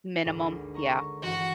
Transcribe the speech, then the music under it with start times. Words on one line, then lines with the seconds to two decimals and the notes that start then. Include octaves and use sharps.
Minimum, yeah.
0.24 G#1 D2 G#2
0.74 D#5 A#5 C#6
1.22 G2 E3 F#4